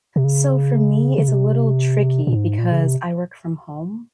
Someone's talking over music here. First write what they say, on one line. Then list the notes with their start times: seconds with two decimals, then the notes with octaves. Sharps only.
So for me, it's a little tricky because I work from home
0.16 C3
0.24 C#3
1.18 C#3
1.28 C3
2.27 A#2
2.33 G#2
2.58 A#2
2.72 C#3
2.85 C3